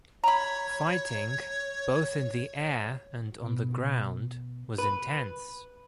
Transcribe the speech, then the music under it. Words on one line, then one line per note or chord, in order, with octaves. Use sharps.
Fighting, both in the air and on the ground, was intense.
C#5 A#5 B5
B2 B3
B4